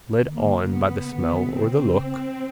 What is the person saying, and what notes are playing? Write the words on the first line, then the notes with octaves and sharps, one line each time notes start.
Led on by the smell or the look.
D3
D#3 A#3
D3
C#3
C#3 B3
C3
C#3
D3 B3
D#3
D3
C#3 C4